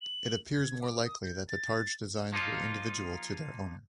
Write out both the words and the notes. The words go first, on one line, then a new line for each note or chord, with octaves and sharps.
It appears more likely that targe designs were individual to their owner.
F#7
G#6
D6
D#6
G6
A6
F3 A#3 D#4 F4